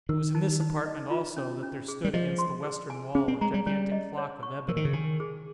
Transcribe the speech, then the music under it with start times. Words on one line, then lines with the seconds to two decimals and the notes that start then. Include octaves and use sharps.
It was in this apartment, also, that there stood against the western wall, a gigantic clock of ebony.
0.09 D#3 A#4
0.35 D#4
0.60 D#4
0.86 D#5
1.11 F4
1.37 C#4
1.63 C#4
1.88 G#4
2.05 G3
2.14 F3 D#5
2.38 C6
2.64 G#4
2.90 G#5
3.15 C#4 G#4
3.28 C4
3.41 G#3 A#5
3.54 G3
3.66 G3 C#4
3.92 D#5
4.18 C#5
4.43 C#6
4.68 F3 A#4
4.77 D#3
4.85 C#3
4.93 D#3 G#5
5.20 G#4